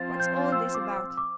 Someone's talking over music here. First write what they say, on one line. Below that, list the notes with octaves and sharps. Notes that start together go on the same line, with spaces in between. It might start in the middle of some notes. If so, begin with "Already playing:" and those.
'What's all this about?
Already playing: F3 C4 F4 C5 A6
G6
E6
D6
D6
E6
E6
D6